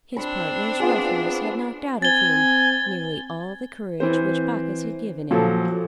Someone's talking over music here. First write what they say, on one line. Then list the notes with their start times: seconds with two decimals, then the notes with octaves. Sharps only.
His partner's roughness had knocked out of him nearly all the courage which Bacchus had given him.
0.16 C4 D4 B5 C6
0.80 B3 F4 G#4
2.02 C4 G#5 A6 G7
4.00 E3 C4 C5
5.31 A#2 F3 F#3 A4